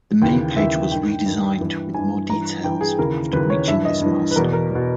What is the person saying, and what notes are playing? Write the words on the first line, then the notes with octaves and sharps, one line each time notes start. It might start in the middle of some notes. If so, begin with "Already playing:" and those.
The Main Page was re-designed with more details after reaching this milestone.
D#2 C#3 E3 G5
D#2 C#3 E3 E5
G2 D#3 G5
G2 D#3
G2 E3
G2 E3 G#5
G2 E3 A#5
G2 E3 G5
G#4
D#2 C#3 E3 A#4
D#2 C#3 E3 B4
C#5
G2 E3 E5
D#5
G2 E3
B4
E2 B2 A#4
A#4
E2 B2